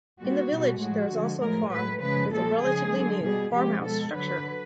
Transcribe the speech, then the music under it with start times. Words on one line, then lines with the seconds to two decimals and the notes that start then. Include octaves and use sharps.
In the village there is also a farm, with a relatively new farmhouse structure.
0.20 A#2 G3 F#4
0.51 B2 G3
0.81 A2 F3 G#3 F#4
1.11 D3 F3 G#3
1.41 A2 F3 G#3 A#4
1.72 A2 F#3 B4
2.02 C#3 F3 G#3 B4
2.32 A#2 F3 G#3 A4
2.63 C#3 F3 G#3 G#4
2.93 D3 F#3
3.23 B2 G3 G#4
3.53 C3 F3 G#3 G4
3.84 B2 G#3 A4
4.14 D3 F#3 B4